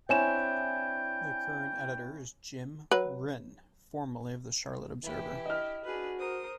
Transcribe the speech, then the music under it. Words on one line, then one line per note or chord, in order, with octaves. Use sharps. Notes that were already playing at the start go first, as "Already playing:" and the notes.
The current editor is Jim Wrinn, formerly of the Charlotte Observer.
C4 D4 E4 C#5 G5 G#5 E7
F#3 B4
E3 E4 G4
D#5 F6
D4 F#4 G#4 B4
A#4 C5 D#6